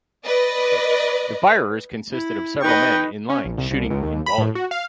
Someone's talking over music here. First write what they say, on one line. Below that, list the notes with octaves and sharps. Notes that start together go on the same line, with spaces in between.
The firers consisted of several men in line shooting in volley.
B4 D5 D#5
E4
D#4 B4 D#5 G5 C#6
C#4
A#1
C2
C2
C#2
D#2
B5
A2
F#4
F5